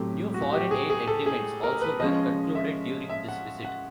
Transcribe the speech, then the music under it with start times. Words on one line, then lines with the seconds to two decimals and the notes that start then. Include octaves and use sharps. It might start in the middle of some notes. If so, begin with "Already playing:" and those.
New foreign aid agreements also were concluded during this visit.
Already playing: A2 F#3 A3 C4 G4
0.34 F#4
0.53 G4
0.71 G#4
0.90 G#4
1.07 A4
1.26 G#4
1.63 A#4
1.82 B4
2.00 F3 G#3 C#4 D#5
2.55 E5
3.10 E5
3.28 F#5
3.65 F#5